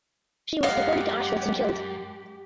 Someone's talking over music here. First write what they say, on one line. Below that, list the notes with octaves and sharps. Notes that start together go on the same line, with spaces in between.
She was deported to Auschwitz and killed.
F#2 A#2 G#3 G4 D5 D#5 F5 F#5